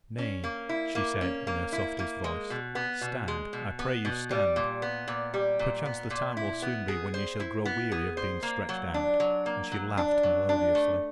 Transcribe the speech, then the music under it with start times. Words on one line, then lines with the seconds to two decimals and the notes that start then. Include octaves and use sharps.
"Nay," she said in her softest voice, "stand; I pray you stand. Perchance the time will soon be when ye shall grow weary of being stretched out," and she laughed melodiously.
0.18 C#4
0.44 A#3
0.69 E4
0.95 A#3
1.21 C#4
1.47 A#3
1.73 E4
1.99 A#3
2.24 G#3
2.50 B2
2.75 B3
3.01 B2
3.28 G#3
3.53 B2
3.79 B3
4.05 B2
4.31 G3
4.56 A#2
4.82 B3
5.08 A#2
5.34 G3
5.59 A#2
5.85 B3
6.10 A#2
6.37 E4
6.62 B3
6.88 G#4
7.14 C5
7.40 E4
7.65 B3
7.92 G#4
8.17 C5
8.43 A#3
8.69 F#3
8.94 D4
9.20 F#3
9.46 A#3
9.72 F#3
9.98 D4
10.23 F#3
10.49 D4
10.75 A3